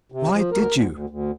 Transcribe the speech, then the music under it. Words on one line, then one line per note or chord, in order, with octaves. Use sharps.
"Why did you?"
C3
F3
D2 A#4
D2
D2
D2